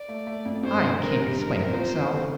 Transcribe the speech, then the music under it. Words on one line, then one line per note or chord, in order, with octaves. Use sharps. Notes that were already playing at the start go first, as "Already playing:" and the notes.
"I can't explain it, myself."
Already playing: D5
A3
A3
F2
G1 C5
D3
D3 A#4
G3
D3 A#4
C4
F3 C5
E2
F1